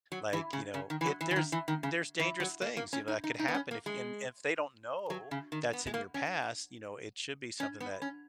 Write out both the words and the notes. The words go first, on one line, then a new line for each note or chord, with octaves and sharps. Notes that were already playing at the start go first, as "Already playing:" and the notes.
Like, you know, it there's there's dangerous things, you know, that could happen if and if they don't know that's in your past, you know, it should be something that
F#3
E3
C#3
C#3
D#3
E3
F#3
E3
E3
D#3
E3
D#3
C#3
E3
F#3
A#3
A#3
C#4
D#4
D#4
D#4
B3
C#4
A#3
G#3
F#3
C#3
D#3
B3
G#3
A#3
C#4
C#4
B3
C#4